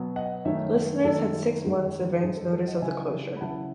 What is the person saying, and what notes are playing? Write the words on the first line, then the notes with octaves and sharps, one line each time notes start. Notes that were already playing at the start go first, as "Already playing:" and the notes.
Listeners had six months advance notice of the closure.
Already playing: B2 F#3 B3
D#5 F#5
F#2 D#3 A3 D#4 C#5 E5
F#2 D#3 A3 D#4 A4
F#2 D#3 G#3 D#4
F#2 D#3 G#3 D#4 G#4
A4
A4
D#5 F#5
C#3 F#3 C#4 E4 E5 G#5
B5
C#3 F#3 C#4 E4 F#5 A5